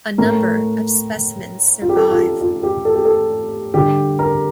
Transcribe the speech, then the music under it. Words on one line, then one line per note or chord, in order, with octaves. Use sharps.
A number of specimens survive.
A2 A3 A#4
F4
G4
A4
F4
G4
F4
G4
A4
G4
A4
D3 G3 G4
A#4